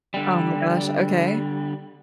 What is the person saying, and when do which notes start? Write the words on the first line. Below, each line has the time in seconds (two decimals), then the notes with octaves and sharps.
Oh, my gosh. Okay.
0.14 D3 G3